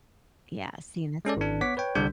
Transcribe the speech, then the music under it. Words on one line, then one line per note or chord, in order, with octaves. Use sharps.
Yeah, see? And that's great.
G#3 C#4 A4 D5
G#1 D4
B3 C#5 F#5 D6 B6
B4 C#5 G5
C2 D3 G3 D4 G4 G6